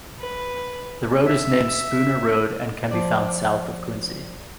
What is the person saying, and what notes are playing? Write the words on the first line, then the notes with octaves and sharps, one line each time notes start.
The road is named Spooner Road and can be found south of Quincy.
B4
E5
F3 D5